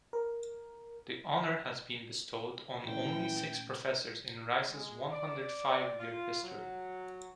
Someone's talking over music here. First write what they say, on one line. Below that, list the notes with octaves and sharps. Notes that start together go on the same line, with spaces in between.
The honor has been bestowed on only six professors in Rice's one-hundred-five-year history.
A#4
A#2 E3 A3 C#4 G5
G#3
D5
F4
F#3